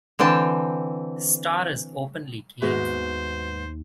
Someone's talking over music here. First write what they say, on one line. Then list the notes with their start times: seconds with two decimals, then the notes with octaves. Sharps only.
Star is openly gay.
0.19 D3 E3 C4 G5 A5
2.62 D#2 G#2 B3 F#4 G#4 C5 E5